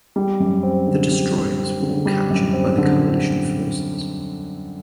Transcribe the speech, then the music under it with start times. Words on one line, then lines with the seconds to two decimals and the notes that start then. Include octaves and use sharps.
The destroyers were all captured by the coalition forces.
0.16 G3
0.40 F#2
0.63 C4
0.87 D3
1.11 G3
1.35 F#2
1.58 C4
1.82 D3
2.06 G3
2.30 F#2
2.53 C4
2.78 D3